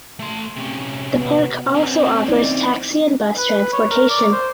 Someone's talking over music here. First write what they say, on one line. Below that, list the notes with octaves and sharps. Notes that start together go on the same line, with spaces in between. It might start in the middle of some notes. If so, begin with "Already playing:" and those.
The park also offers taxi and bus transportation.
A3 C6
C3 C#4
B3
C4 C#4
D#4 E4 D5
B4
C#5
A#4
D5
C5